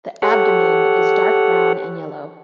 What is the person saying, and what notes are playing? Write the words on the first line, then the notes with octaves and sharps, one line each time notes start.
The abdomen is dark brown and yellow.
G4 A4 C#5 F#5